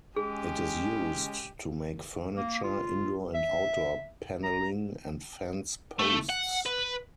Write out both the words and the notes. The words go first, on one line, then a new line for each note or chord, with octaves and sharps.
It is used to make furniture, indoor and outdoor panelling, and fence posts.
G#3 C#4 G4 G#4
A#3
F4
E5
A#5
A3
F#5
B4